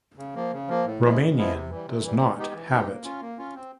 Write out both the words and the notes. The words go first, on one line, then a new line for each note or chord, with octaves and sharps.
Romanian does "not" have it.
C#3
F3 A#3
C#3
F3 A#3
A2
F3 G#3 B3 E4
A2
F3 G#3 B3 E4
C3
E3 G3
C3
E3 G3
E3
G#3 B3 D#4 G4
E3
G#3 B3 D#4 G4
A#3
C#4 F4
A#3
C#4 F4
C4